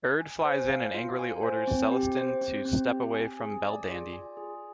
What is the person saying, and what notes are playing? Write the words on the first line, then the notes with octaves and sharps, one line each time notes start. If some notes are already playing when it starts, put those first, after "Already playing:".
Urd flies in and angrily orders Celestin to step away from Belldandy.
G#5
C5
F5
F4
G#5
C5
C4
G4
C5
C4
C4
G4
G#5
G#4
D5
F4
G#5
G#4